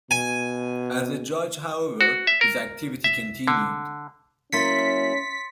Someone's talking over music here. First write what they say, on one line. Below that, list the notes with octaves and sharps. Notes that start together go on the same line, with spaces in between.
As a judge, however, his activity continued.
B2 G#5
F#4
E5
A#4
E5
D3
F#3 A#3 C#4 E4 C6 A6 B6 C#7